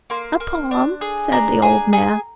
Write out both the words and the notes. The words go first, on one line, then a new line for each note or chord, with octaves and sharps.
"A poem," said the old man.
A#3 C6
A#3
D4
G#4
D4 A#5
G#4
G#4